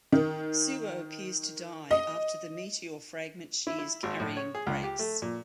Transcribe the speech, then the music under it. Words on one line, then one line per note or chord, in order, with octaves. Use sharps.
Suo appears to die after the meteor fragment she is carrying breaks.
D#3
D#5
E4
E4
G#1
A2
C#5
G#4
C#2
G4
A3
A#2